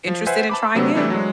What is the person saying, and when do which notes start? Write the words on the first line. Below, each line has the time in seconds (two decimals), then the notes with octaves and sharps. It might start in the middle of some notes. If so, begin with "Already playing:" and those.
interested in trying it?
0.07 F3
0.26 B4 C5 E5 F#5 G#5
0.50 A5 B5 D6
0.75 C3 F#3 A3 B3 C4 D4
0.95 E3 G3 A3 C4 D4 E4
1.10 F#3 G#3